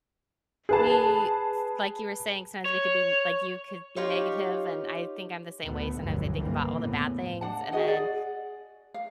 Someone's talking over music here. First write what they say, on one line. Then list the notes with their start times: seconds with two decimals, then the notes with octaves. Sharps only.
we like you were saying, sometimes we could be like you could be negative, and I think I'm the same way. Sometimes I think about all the bad things, and then
0.69 G#4 B4 A5
2.66 C#5
3.96 D#4 F4 G4 C#5
5.63 D2 A2 A3 B3
5.97 F1 D2 G2 B2 D3 F#3
6.38 C#2 G2 D3 E3 A#3 C4
6.72 E2 A2 C#3 E3
7.41 D4 F#5 A5
7.72 F#4 G#4 D#5 F#5
7.88 G#4 D5 F#5
8.94 F5